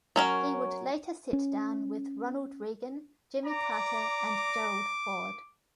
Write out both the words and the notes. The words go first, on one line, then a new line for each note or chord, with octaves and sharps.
He would later sit down with Ronald Reagan, Jimmy Carter, and Gerald Ford.
F#3 C#4 A#4
C#4
D5 A#5 D6